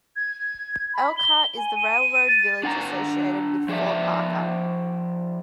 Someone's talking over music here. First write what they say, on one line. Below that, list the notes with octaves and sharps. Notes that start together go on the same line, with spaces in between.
Elkhart is the "railroad village" associated with Fort Parker.
G#6
B5
G7
G#5
D#7
A6
D4 F#5 G#5 A#5
F3 G#4 C#5 D5 E5